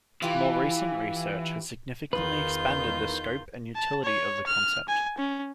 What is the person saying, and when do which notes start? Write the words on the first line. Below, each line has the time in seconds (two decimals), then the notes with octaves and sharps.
More recent research has significantly expanded the scope and utility of the concept.
0.22 E3 F4 G4 B4
2.13 E2 D#3 F4 B4 G6
3.75 A5
4.04 C#5
4.47 F6
4.89 G#5
5.18 C#4